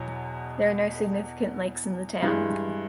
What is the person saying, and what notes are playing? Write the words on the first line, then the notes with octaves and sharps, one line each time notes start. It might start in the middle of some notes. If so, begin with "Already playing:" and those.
There are no significant lakes in the town.
Already playing: E2 B2 F#3
G2 E3 G#3